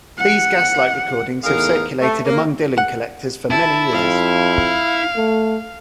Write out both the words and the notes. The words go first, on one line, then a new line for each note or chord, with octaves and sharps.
These Gaslight recordings have circulated among Dylan collectors for many years.
F#5
E2 A2 D#4 G#4 A#4 F5
A3
A#3
F#5
E4 A5
F2 F5
A3